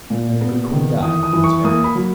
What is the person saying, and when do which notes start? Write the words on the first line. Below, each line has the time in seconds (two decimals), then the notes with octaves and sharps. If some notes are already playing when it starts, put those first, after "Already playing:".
Then the good queen died, and was buried.
0.10 A#2
0.41 B3
0.72 D#3
1.03 E3 D#6
1.23 D#6
1.33 E3
1.44 C#6
1.64 A#3 D#6
1.84 B5
1.95 F#3